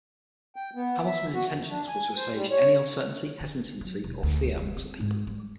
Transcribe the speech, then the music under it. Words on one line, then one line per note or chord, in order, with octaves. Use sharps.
Hamilton's intentions were to assuage any uncertainty, hesitancy or fear amongst the people.
G5
B3
E5
F#4
F2
D4
G#5
C5
G3
C#5
D3
F#3
E1
D2
F1
C4
G#2
G3